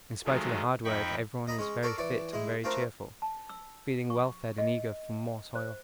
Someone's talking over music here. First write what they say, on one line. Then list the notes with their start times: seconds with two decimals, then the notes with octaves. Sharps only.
In spite of the hard work everyone is very fit and very cheerful, feeling well fed and eager for more toil.
0.25 D#3 F3 F#3 G#3 A3
0.85 F2 D#4 G5 B5 C#6
1.47 D#5 A#5 B5
1.58 G#3 C#4
1.83 A4 A#4 C#5 D5
1.98 E3 C#5 D5
2.33 G#3 E4
2.64 A3 C4 D4 F4 A#4
3.22 A5
3.49 E6
4.10 C#6
4.58 D#5
5.55 C5